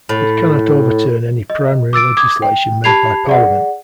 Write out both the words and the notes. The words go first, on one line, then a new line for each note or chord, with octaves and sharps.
It cannot overturn any primary legislation made by Parliament.
A2
D#5
D6 E6 A6 D7
D6 D#6 G#6
G5
G4 A5 B5 G#6 C7 F7
G#4 D5 F#5